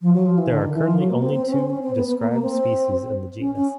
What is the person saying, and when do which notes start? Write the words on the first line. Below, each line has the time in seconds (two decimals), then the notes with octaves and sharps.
There are currently only two described species in the genus.
0.02 F3
0.14 F#3
0.26 F3
0.38 E3
0.50 D3
0.62 D#3
0.74 E3
0.86 F3
0.98 F#3
1.10 A#3
1.22 C4
1.34 C4
1.46 C4
1.52 C#4
1.59 C4
1.70 C#4
1.83 C4
1.95 B3
2.07 B3
2.19 A#3
2.31 A#3
2.42 C4
3.40 C#4
3.56 C#4